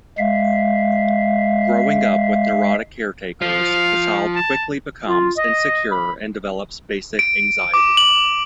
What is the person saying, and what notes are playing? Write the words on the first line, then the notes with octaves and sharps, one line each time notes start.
Growing up with neurotic caretakers, the child quickly becomes insecure and develops basic anxiety.
G#3 E5 F5
F3 F5
A5
F4
D#5
B5
D7
D6
F#7